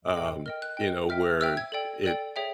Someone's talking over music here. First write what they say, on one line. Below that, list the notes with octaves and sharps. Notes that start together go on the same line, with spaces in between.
um, you know, where it
A4 C5 D#5 G5
A#4 D#5 G5 F6
F#6
A#4 D#5 G5
C5 E5 G5 F6
C5 E5 G5 E6
G#6
A4 D5 G5
A4 D5 G5
G#4 C#5 E5 G5